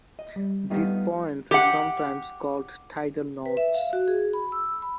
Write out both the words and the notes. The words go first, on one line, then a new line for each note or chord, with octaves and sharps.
These points are sometimes called tidal nodes.
D#5
G3
G3 A3 B3 D#4 F4 G4
G4 F#5
B4
E5
F5
F#4
G#4
B5
E6
B5